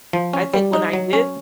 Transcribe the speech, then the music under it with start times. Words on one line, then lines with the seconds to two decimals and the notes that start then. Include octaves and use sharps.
I think when I did
0.13 F3
0.33 C#4
0.54 G3
0.73 D#4
0.93 F#3
1.13 C#4